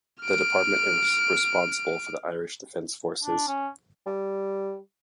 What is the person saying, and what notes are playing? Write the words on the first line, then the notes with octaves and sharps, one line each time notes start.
The Department is responsible for the Irish Defence Forces.
F6 D7
D4
C#4
G3